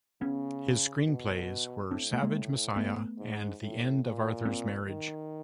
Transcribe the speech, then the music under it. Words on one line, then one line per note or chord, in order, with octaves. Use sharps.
His screenplays were "Savage Messiah" and "The End of Arthur's Marriage".
C#3 B3 C#4
B2
A2 C4 D4
A3 B3
G#3 A#3
A3 B3
G#2
A2
A#2
A#3 C4
D#3